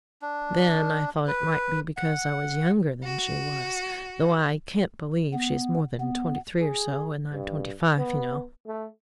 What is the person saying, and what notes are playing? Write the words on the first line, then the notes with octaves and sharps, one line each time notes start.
Then I thought it might be because I was younger than she was, though I can't believe she is more than twenty-three or so, and I'm twenty-five, you know.
D4
B4
F#5
F#4
B3
B3
G#4
G2
B3
A3